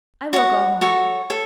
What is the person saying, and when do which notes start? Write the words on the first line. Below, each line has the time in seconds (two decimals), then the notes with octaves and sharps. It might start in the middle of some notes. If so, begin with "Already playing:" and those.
"I will go home."
0.33 F#4 C#5 F#5
0.81 F#4 A4 C#5
1.30 A4 C#5